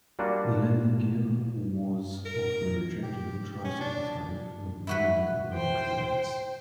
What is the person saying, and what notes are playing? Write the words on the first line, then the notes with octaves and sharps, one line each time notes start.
The landing gear was of the retractable tricycle type with very little ground clearance.
G3 A#3 D4 F4 F#4
A#4
G4
C#4
D4
E4 F#4 B4
C5 G5